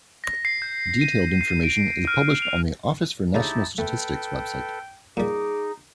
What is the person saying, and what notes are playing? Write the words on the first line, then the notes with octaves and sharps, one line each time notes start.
Detailed information is published on the Office for National Statistics website.
A#6
C7
G6
D#7
C7
D7
F6
F7
D2 C#3 D#4 E4 G4 A5 A#5
A3 A4 B4 G5
A#2 G3 D#4 G#4 D6